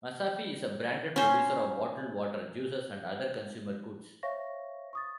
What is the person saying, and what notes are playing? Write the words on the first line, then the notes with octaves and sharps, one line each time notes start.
Masafi is a branded producer of bottled water, juices and other consumer goods.
C#4 C5
C5 C#5 E5 F5 C#6 A#6
C#6 D#6 A6